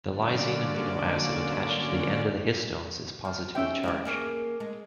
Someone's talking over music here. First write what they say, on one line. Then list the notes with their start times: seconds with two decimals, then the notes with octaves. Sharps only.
The lysine amino acid attached to the end of the histones is positively charged.
0.14 D3 F#3 A#3 C#4 D5
3.25 F3
3.55 D#2 C3 C#4 E5 G5
3.83 G#3 E4 G4
4.05 A#3 G#4 C#5
4.60 G#3